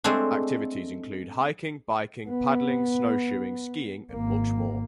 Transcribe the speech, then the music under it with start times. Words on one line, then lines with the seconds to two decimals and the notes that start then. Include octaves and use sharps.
Activities include hiking, biking, paddling, snowshoeing, skiing and much more.
0.04 G#3 A3 C4 D4
2.30 B3
4.13 G#1 A#3